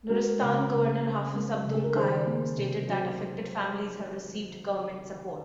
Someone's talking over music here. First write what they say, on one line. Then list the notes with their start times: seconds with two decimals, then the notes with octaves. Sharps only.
Nuristan governor Hafiz Abdul Qayum stated that affected families have received government support.
0.09 G#3 F#4 A#4
0.41 C#3
0.71 C#3
1.02 C4
1.33 G#3
1.65 C#3
1.73 G#4
1.83 A#4
1.95 D#3 G#4 C5
2.26 A#3
2.57 C3
2.87 F#3